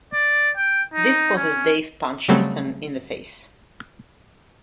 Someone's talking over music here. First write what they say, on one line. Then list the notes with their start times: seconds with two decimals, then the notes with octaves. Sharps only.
This causes Dave punch Ethan in the face.
0.13 D5
0.57 G5
0.94 D#4
1.36 C#4
2.28 C#3 F#3 G3 A3 C4